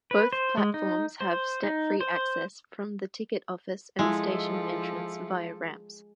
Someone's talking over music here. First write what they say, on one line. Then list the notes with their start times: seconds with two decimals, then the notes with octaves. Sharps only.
Both platforms have step-free access from the ticket office and station entrance via ramps.
0.11 B4
0.33 C5
0.57 G#3
0.74 D#4
1.20 C5
1.63 D#4
2.01 C5
3.99 F3 G#3 E4 A4